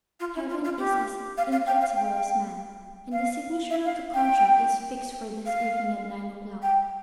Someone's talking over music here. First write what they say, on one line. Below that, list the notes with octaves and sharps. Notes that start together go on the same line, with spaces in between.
Heaven is as inflexible as man, and the signature of the contract is fixed for this evening at nine o'clock.
F4
E4
F4
F4
G4
F5
F5
G5
F5
G5
F5
E5
F5
G5
F5
G5